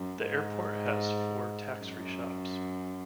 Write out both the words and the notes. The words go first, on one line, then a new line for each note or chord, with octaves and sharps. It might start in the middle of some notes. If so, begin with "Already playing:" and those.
The airport has four tax-free shops.
Already playing: F#2
G#2
F#2